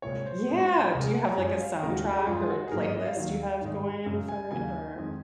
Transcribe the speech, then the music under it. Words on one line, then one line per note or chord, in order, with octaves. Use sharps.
Yeah. Do you have, like, a soundtrack or a playlist you have going for it or
C2 A#2 G#3 C#5
C5
A#2 G#3
C2 C3 F3 G#3 A#4
G#4
F#5
A#5
F#2 F3 G#3 G#5
F5
D#2 C#3 G#3 A#4
F#4
F#4
G#4
F#2 F3 G#3 F4
G#4
F#4
G#4
G#2 F#3 A#3 A#4
D#5
D#5
F5
D#2 D#3 F#3 F5
G#2 D#3 G#3
F#2 C#3 G#3
G#5
D#2 C#3 F#3 A#3 G#5
F2 D#3 G#3